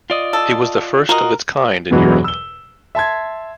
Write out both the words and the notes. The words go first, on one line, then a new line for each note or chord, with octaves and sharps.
It was the first of its kind in Europe.
F4 D5 D#5
A4
F4 F#4 A#4 D#5
E2 G2 B2 E3 F#3 G#3
E6 G7
E5 A5 C6 G#6